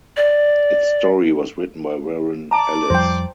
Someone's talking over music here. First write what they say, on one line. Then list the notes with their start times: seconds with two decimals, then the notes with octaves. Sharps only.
Its story was written by Warren Ellis.
0.17 D5
2.51 D5 A5 A#5 D6
2.90 F2 F3 G3 C5 G5